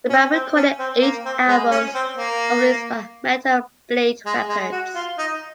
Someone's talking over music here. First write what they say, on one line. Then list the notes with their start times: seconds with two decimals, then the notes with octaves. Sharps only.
The band recorded eight albums, all released by Metal Blade Records.
0.09 C#4
0.33 C4
0.56 C#4
0.79 C4
1.02 A#3
1.25 C4
1.48 G#3
1.71 C#4
1.95 C4
2.17 A#3
4.26 G#3
4.49 G#3
4.72 F#4
4.95 F4
5.18 D#4